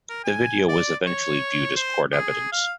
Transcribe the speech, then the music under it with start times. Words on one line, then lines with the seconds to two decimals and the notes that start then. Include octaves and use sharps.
The video was eventually viewed as court evidence.
0.09 A#4
0.24 G#5
0.69 D5
1.06 C#5
1.76 C5
2.12 G#4
2.52 F5